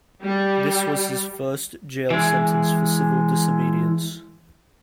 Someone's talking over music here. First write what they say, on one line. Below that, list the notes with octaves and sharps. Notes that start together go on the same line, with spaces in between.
This was his first jail sentence for civil disobedience.
G3
E3 G#3